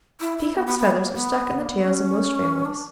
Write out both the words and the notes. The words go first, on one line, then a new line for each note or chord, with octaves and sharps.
Peacocks' feathers are stuck in the tails of most families.
E4
E4
B3
B3
B3
A#3
A#3
B3
A#3
B3
C#4
D4